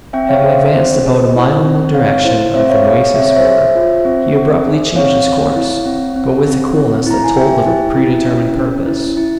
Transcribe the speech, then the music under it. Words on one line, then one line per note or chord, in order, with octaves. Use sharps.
Having advanced about a mile in the direction of the Nueces river, he abruptly changed his course; but with a coolness that told of a predetermined purpose.
C4 E5 G5
C#5 F5
G#4 C5 E5
C5
C4 C5
G#4
E4
C4
C4 C#5 F5
E4 C5
C4 C5 E5
C#5 F5
G#4 C#5
C#5
C4 E5
C#5
C5 E5
G#4
F4
C4
C4
G#4
C4 C#5 F5
C4
E4
C4
C4
C4
C4
E4 A#5
G#5
G4 E5 G5
E4
E4
C#4
C#4
E4
E4